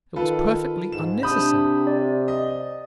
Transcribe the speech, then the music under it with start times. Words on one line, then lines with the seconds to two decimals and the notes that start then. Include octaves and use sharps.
It was perfectly unnecessary.
0.16 D#3 F4 A4 B4
0.92 G#2 E7
1.23 C3 D4 B5 D#6 G6
1.87 D5
2.28 D#5